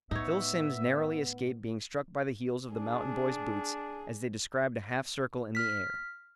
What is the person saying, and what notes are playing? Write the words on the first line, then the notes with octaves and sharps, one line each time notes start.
Phil Simms narrowly escaped being struck by the heels of the mountain boy's boots as they described a half circle in the air.
A2 B3 D#4 C#5 E5
D4 G#4
F6 B6